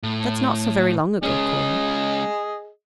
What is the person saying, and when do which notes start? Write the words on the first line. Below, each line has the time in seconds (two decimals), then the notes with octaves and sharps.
"That's not so very long ago, Cora."
0.03 A2
1.23 G#3 C#4 G#4 D#5